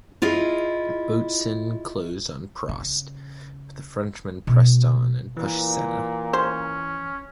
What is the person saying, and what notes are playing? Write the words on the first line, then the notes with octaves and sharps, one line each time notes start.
Boutsen closed on Prost, but the Frenchman pressed on and pushed Senna.
E4 F4 G#4 D#5
C#3
B2 A3
A#2 E3
C#4 C5